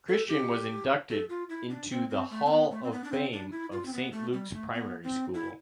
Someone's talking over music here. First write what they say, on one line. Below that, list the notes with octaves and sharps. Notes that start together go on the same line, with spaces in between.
Christian was inducted into the Hall of Fame of St Luke’s Primary School.
A4
G4
A4
F4
E4
D4
C4
C4
A3
C4
B3
A3
C4
B3
D4
C4
D4
E4
F4
C4
B3
A3
G3
A3
B3
C4
E4